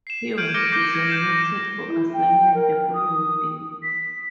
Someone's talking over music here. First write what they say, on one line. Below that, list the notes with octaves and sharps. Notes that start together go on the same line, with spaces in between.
He was designated for assignment the following day.
C7 E7
F6 G6 G#6 D7 D#7 F#7
D6 A#6 C#7 D7 G7
D6 G6 A#6 C7
G#6 A#6
F6 G6 C7 E7
E4
G5
A#4
D#6
B6